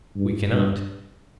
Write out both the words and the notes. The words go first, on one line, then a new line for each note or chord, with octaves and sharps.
We cannot.
G2
G2